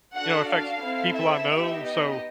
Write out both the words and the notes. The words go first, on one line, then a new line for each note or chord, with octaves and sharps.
you know, it affects people I know. So,
D4 F#4 A4 F#5
F5
C4 E4 A4
E5
B3 D#4 G4
D#5